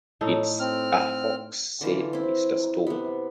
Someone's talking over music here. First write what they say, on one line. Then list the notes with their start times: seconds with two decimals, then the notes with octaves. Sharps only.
"It's a hoax," said Mr. Stone.
0.21 A2 D#4 A4
0.60 C4 F6
1.81 D3 E3 F4
2.13 C4 E4
2.87 C3 B3